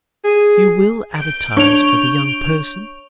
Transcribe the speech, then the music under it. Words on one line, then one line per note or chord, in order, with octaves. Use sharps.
"You will advertise for the 'young person'?"
G#4
G6 D7
D4 C#5 C#6 F7